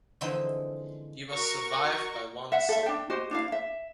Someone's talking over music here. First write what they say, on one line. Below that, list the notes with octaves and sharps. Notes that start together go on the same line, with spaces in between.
He was survived by one son.
D3 E3 F3 G#3 C4 D#4
F#4 A#4 C#6
E5 F#5
A4 E5
D4 G5
F#4 G4 C5 D#5
D4 E4 F5
E5